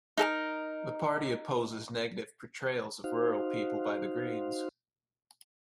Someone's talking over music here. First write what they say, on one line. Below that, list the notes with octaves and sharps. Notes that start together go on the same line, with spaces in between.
The party opposes negative portrayals of rural people by the Greens.
D#4 A4 A#4
D#4 F#4 C5 F5